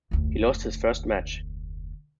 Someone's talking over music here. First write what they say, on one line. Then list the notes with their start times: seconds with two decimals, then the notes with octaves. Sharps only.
He lost his first match.
0.11 F1 D2